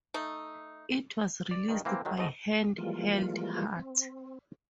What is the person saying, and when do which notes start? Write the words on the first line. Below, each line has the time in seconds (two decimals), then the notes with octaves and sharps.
It was released by Hand Held Heart.
0.14 A3 D#4
1.51 D5
1.69 G2 D#3
1.85 E3 A#3 C4
2.05 D#3 F#3 G#3
2.17 G#2 B2 A3 D#5
2.78 E3 F3 G3 G#3 A#3 F4
3.77 C4